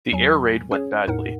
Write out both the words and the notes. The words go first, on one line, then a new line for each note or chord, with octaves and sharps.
The air raid went badly.
E2 F#3 G#5
C#4 G#4 C#5
E2 A2 D#4 A#4 F#5